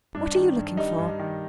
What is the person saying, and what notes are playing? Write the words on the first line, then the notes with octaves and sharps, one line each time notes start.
What are you looking for?
G2 D4
D#3
G2
G3 D#4
G2
D#3